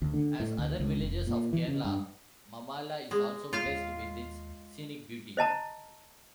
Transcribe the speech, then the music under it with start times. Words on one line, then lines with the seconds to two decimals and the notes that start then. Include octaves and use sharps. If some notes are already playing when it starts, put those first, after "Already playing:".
As other villages of Kerala, Mamala is also blessed with its scenic beauty.
0.02 D2
0.14 D3
0.40 A2
0.58 D2
0.80 C#2
1.00 F1
1.27 A#2
1.53 E3
1.68 C#3
1.85 G2
3.11 G#3
3.53 F4 F5
3.66 D#2
5.37 C5 D#5 A5 A#5